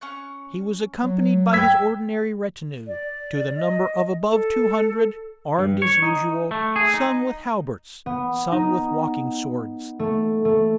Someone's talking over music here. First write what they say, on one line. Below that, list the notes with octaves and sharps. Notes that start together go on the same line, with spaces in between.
He was accompanied by his ordinary retinue, to the number of above two hundred, armed as usual, some with halberts, some with walking swords.
C#4 C#6 F#6
F#3
G5 B5 E6 G#6 B6
D5
D#5
A4
G2
C#5
D#4
A3
G#4
D#4
B3
D#4
A3
A3